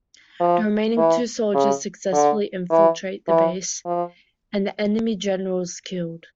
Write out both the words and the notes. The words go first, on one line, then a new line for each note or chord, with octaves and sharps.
The remaining two soldiers successfully infiltrate the base, and the enemy general is killed.
F3
E3
C#3
D3
E3
E3
F3